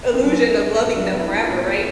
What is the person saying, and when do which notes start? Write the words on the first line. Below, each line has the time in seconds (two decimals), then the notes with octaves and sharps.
illusion of loving them forever, right?
0.13 C4
0.23 F#3 C#4
0.41 B3
0.60 D4
0.78 A#2
0.95 F#3 D4
1.13 B3
1.19 E4
1.31 D4
1.43 F4
1.50 A#2
1.68 E3